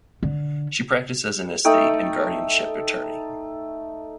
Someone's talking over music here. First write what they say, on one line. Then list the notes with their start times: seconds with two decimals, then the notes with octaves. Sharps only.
She practiced as an estate and guardianship attorney.
0.23 D3
1.65 A3 D#4 A4 G5